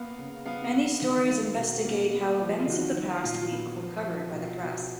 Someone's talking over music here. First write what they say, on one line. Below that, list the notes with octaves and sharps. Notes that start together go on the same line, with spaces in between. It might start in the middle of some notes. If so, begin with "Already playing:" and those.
Many stories investigate how events of the past week were covered by the press.
Already playing: A#3 B3 F5
C#3
B3 F5
B3
D#3
A#3
B2
A#3
B3
F3
F4
D#3 F#4
F#3
A#2 F4
B3
F3
F3
B2 F4
B2